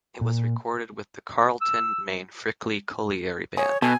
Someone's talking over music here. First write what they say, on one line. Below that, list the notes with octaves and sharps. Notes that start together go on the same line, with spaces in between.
It was recorded with the Carlton Main Frickley Colliery Band.
A#2
E6
G#4 C#5
B2 A4 G#5